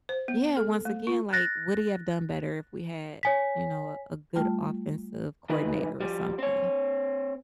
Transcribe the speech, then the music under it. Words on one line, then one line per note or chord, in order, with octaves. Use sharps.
Yeah, once again, like, would he have done better if we had, you know, a a good offensive coordinator or something?
C5
B3
A4
A3
F4
F#6 A6 A#6
C#5 G#5 B6
G3 A3 F4 G5 A5
E3 G#3 D#4 B4
F3 G3
C4 C#5